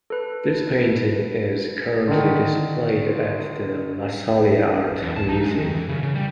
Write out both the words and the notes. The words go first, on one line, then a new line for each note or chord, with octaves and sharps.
This painting is currently displayed at the La Salle Art Museum.
A4 B4
D3 D#3
E2
A5
D#4
G#3
D#3
E3
C#3
C#3
G3